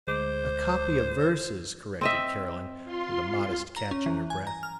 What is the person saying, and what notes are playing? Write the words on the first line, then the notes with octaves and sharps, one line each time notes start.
"A copy of verses," corrected Carolyn, with a modest catch in her breath.
D2 G#3 C5 D6
C4 D#5 E5
F4 C6
A#5
C#4
E3
G#5
A#5
F6